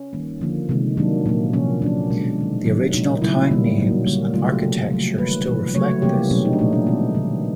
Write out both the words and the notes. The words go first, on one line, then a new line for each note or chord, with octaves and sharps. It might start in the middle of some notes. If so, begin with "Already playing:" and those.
The original town names and architecture still reflect this.
Already playing: C#4
D#3 G3 A#3
D3 F3 A#3
C3 D#3 G#3
D#3 F#3 A#3 D4
A#2 F#3 A#3
C3 F3 A#3 C#4
D3 F#3 A#3 D4
B2 G#3
D#3 G#3
C3 D#3 F#3 A#3
A#2 G3 A#3 D#4
C#3 F#3 A3 E4
D#3 G3 A#3
A#2 F#3 A#3
D3 G3 A#3
C#3 F#3 A3 F4
G4
C3 F3 A3 A4
C#3 F#3 A3
D#3 G3 A#3 B4
C3 F3 A3
C#3 F#3 A3 C#5
C3 E3 G3 A#3 G4
B2 F#3 A3 C#4
D#4
D4
A#2 F3 A3 D#4
D4
D#3 G#3 B3
D3 F#3 A#3